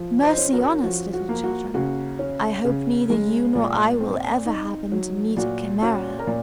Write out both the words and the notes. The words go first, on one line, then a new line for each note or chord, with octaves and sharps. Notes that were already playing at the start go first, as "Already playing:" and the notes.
Mercy on us, little children, I hope neither you nor I will ever happen to meet a Chimaera!
Already playing: F3
C5 D#5
C#4
F#4 A#4
F3 F#4
F#4
A#3
F#4
C#3 F#4
C#4
C#3
G#3
A#2 F4
C4
D#4
F#3
A#2 F#4
C#4 F#4
A#4
A#2